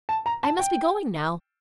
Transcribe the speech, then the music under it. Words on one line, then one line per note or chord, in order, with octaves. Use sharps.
I must be going now.
A5
A#5
A5
G5